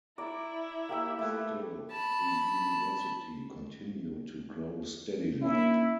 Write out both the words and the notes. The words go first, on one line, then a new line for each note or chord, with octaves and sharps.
Still, the University continued to grow steadily.
E4 D5 A#5
A#3 G4 E5
A3 E4 B4
A5 B5
A#3 C#4 D4 E4